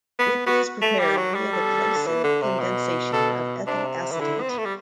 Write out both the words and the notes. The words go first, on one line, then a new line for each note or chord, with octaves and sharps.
It is prepared via the Claisen condensation of ethyl acetate.
B3
B3 F#4
A3
G3 G4
F#3
G3
A4
D3
E3
D3
C3
B2
B2 A4
C3 D4
E3
D3 E4
C4
B3
A3
G3